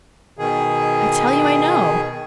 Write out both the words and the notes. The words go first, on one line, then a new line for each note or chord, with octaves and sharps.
"I tell you I know."
B2 D#3 G#4